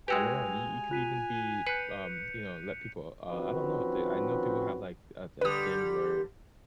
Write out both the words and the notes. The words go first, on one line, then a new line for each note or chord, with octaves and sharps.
I know, you you could even be, um, you know, let people uh, I don't know, I know people have, like, a a thing where
G#3 F#4 G4 B4 G5 G#5 E6 F7
F4 F#6 B6 D#7
B4 F#6 G6 C7 C#7
D#3 F3 C4 C#4 F#4 B4
D3 G3 B4 D#6